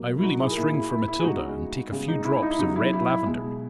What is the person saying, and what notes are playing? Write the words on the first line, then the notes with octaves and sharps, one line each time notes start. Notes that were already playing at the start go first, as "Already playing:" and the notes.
I really must ring for Matilda, and take a few drops of red lavender.
Already playing: B2 F#3 A#3
E4
D#4 F#4
E4 G#4
A#4
A#2 A#3 E4 G#4
E4
E4
E4
G#4
C#3 G#3 B3 D#4 F#4
C#3 G#3 B3
D#4
E4
E4
D#4
E4
C#3 F#3 B3 D#4
E4
E4
E4
B2 G#3 B3